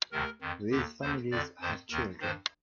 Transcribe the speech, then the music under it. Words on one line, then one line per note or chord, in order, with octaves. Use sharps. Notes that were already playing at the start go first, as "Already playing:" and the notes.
These families have children.
D2 C3 D#3 A#4
F2 D#3
D#2 D3 G4
D#2 D3 C5
F2 D3 D5
F2 D#3 C5
D#2 D#3 A#4
G2 D#3 C5